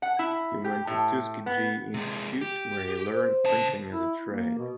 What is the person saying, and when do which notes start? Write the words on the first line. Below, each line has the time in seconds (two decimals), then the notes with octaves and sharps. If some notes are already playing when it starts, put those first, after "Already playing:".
He went to Tuskegee Institute, where he learned printing as a trade.
0.02 F#5
0.19 E4
0.64 G4
0.87 A2
1.46 B3
1.94 C3 G#3
2.41 G4
3.14 C5
3.45 C#3 A5
3.92 E4
4.25 A#3
4.58 B2